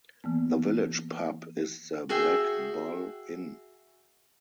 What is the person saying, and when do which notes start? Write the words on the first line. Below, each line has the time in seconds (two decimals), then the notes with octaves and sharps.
The village pub is the Black Bull Inn.
0.24 E3 A#3 B3
2.09 F#4 G#4 E5 G5